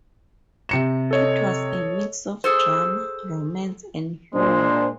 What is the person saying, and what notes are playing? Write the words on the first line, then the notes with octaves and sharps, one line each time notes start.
It was a mix of drama, romance and humor.
C3 C#7 E7
A4 C#5 D#5
G#4 A4 C5
A#2 G#3 D4 C5